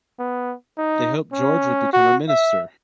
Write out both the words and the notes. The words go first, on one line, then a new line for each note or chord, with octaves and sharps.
They hoped George would become a minister.
B3
D#4
C#4
F#4
E5